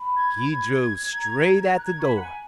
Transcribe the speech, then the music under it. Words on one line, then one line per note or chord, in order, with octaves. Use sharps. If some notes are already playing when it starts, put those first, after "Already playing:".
He drove straight at the door.
Already playing: B5
G#6
A#5
F#6
G#6
C#6
B5
F#5
G#5